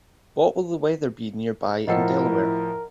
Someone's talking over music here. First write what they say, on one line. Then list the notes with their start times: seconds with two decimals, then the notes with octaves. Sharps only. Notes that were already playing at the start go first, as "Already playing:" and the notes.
What will the weather be nearby in Delaware?
1.87 A2 F3 E4 A#4 D#5 F#5 G5 E6